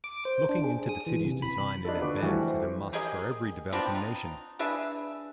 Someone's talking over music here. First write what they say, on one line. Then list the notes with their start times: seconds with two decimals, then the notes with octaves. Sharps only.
Looking into the cities design in advance is a must for every developing nation.
0.04 D6
0.25 C5
0.49 D4
0.64 G#4
0.89 D#6
1.07 E3
1.25 C3
1.42 B5
1.85 D4 D#4 F4 A4
2.01 D3 F#4 B4 D6
2.22 E3 F3 G3 A3 F4 F#4
2.48 C5
2.93 G4 G#4 A#4 D#5
3.72 F3 B3 C4 D4
3.95 D#4
4.59 D4 G#4 B4 E5